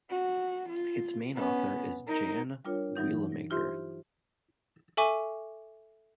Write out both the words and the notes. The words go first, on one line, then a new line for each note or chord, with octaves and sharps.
Its main author is Jan Wielemaker.
F#4
F4
B3 C#4
D#4 A#4
G3 D4 F4 A#4 C#5
G2 E3 F#3 D#4 G6
A#6
E4 F4 G4 C5 E5 C6
A4 E5 G#5 C#6 D6 D#7